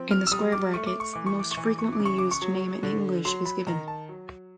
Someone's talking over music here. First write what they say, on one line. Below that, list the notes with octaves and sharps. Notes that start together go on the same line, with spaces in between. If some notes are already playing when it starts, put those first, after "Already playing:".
In the square brackets, the most frequently used name in English is given.
Already playing: F3 C4
F6
E6
G3 D#6
D6
A3 C#6
D6
C#6
E3 D6
C#6
D6
C#6
E3
D6
C#6
D6
C#3
C#6
D6
C#6
F#3
D3
F#3 C6
B5
D#3 A#5
A5
F#3